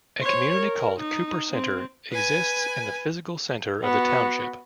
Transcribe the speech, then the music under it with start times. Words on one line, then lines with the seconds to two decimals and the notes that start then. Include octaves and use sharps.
A community called Cooper Center exists in the physical center of the township.
0.20 C5 C#5
0.56 A#4
0.99 D#4
1.50 C4
2.11 B4 G#5
3.83 B3 F#4